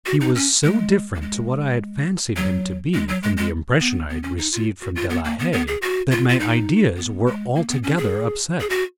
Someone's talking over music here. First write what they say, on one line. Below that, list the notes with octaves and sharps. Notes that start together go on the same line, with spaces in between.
He was so different to what I had fancied him to be from the impression I had received from De la Haye, that my ideas were altogether upset.
F#4
D#4
C#4
G#3
A#3
G#3
F#3
G#3
F#3
G#3
G#3
B3
B3
C#4
D#4
F4
F#4
F4
B3
A#3
B3
B3
G#4
F#4
F4
F4
D#4
B3
G#3
A#3
B3
C#4
G#4
G#4
F#4